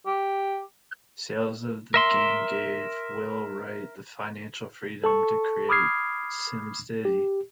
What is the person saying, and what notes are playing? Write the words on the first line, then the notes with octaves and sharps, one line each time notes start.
Sales of the game gave Will Wright the financial freedom to create SimCity.
G4
A#4 E5 C6
A4 A5 C#6
B5 D6 D#6 F6 G#6 C7
G4